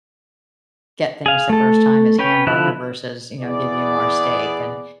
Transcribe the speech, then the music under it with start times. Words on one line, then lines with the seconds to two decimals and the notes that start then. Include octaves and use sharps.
get things the first time as hamburger versus, you know, give you more steak, and
1.26 G#4 F5
1.50 A3 A4
2.19 C#4 B4 C#5 G5
2.47 D3 F3 E4 F#6
3.41 E2 B3 E4 G#4 D5